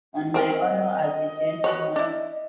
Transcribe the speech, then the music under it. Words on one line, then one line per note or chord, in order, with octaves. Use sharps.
On my honor as a gentleman.
C4 A#4
D#5
F#4 B4 C#5
D4 E4